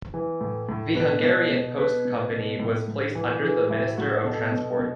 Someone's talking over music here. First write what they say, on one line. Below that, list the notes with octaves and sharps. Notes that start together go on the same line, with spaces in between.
The Hungarian Post Company was placed under the Minister of Transport.
E3
A2
A2
B2 B4
B2
B2
B2 B4
B2
B2
A2
A2
E3
E3 G#4
A2 E4
A2 F#4
B2 A4
B2
B2